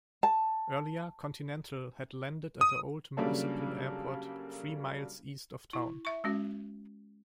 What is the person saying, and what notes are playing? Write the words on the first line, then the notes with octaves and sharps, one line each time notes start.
Earlier, Continental had landed at the old municipal airport three miles east of town.
A5
D#6
C#3 F#3 G3 A#3 D4 A4
E4
E5 C#6
G#3 C#4 F#4